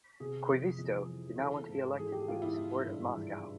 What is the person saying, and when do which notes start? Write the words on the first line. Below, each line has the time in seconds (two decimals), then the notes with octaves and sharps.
Koivisto did not want to be elected with the support of Moscow.
0.20 C3 G#4
0.49 F2
0.79 F2
1.09 E3
1.38 E3 A4
1.69 G#2
1.98 E3 G#4
2.12 G4
2.28 G#2 F4
2.42 E4
2.57 E3
2.87 G2
3.17 E3